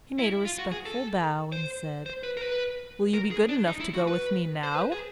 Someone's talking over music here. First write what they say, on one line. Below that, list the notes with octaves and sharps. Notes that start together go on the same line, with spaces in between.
He made a respectful bow and said, "Will you be good enough to go with me now?"
E4
F4
F#4
G#4
A4
C5
C5
B4
A#4
B4
A#4
G#4
D4
D#4
E4
F#4
B4
C5
B4
G#4